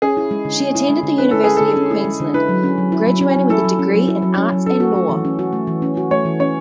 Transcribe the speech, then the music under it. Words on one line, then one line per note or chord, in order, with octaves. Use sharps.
She attended the University of Queensland, graduating with a degree in arts and law.
C#4 G#4
E4
G#3
D3
C#4
E4
G#3
D3
C#4 B4
E4 A4
G#3 G#4
D3 A4
C#4
E4
G#3
D3
E4 B4
F#3
C#4
F#3
E4
F#3
C#4
F#3
E4 A4
F#3
C#4
F#3
E4
F#3
C#4
F#3
C#4 A4
F#4
A3
E3
C#4
F#4
A3
E3
C#4
F#4
A3 C#5
E3
C#4 C#5